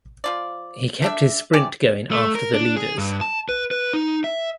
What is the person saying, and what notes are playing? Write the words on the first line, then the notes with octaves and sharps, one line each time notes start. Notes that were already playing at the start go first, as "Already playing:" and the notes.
He kept his sprint going after the leaders.
F3 F4 D5
A3 D4 E5
E3 C#4 G4 D5
A3
A#4
D4
G#4
G2
A5
B4
B4
D#4
E5